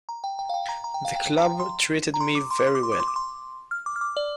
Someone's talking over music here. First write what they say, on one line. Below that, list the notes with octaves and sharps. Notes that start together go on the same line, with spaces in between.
The club treated me very well.
A#5
G5
G5
F5
G5
A#5
A#5
G5
F5
G5
A#5
G5
C6
A#5
C6
D6
C6
D6
C6
D6
C6
D6
C6
D6
C6
F6
D6
F6
D6
D5